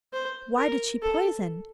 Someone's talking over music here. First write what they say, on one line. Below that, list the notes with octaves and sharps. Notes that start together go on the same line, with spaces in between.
'Why did she poison?
C5
A#4
A4